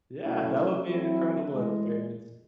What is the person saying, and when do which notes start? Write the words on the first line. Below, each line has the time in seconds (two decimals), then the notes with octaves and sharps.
Yeah, that would be an incredible experience.
0.23 B2 F#3 A3 C#4 E4
0.88 F#3 A3 C4 E4
1.53 A2 E3 G#3